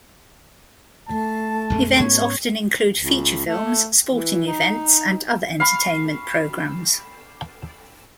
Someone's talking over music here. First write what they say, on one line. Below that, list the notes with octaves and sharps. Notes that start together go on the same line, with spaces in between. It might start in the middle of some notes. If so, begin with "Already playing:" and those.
Events often include feature films, sporting events, and other entertainment programs.
A3 A5
A#1 F2 G#3
G#2 B3 C#4 C#5
C#2
A3
E3
D#4
F5 B5 C#6